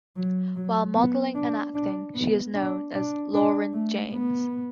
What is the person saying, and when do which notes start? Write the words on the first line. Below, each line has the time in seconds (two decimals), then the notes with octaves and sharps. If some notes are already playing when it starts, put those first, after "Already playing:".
While modeling and acting, she is known as Lauren James.
0.16 F#3
0.55 F#3
0.95 B3
1.35 D4
1.75 D4
2.14 B3
2.54 D4
2.94 D4
3.34 D4
3.73 A3
4.13 B3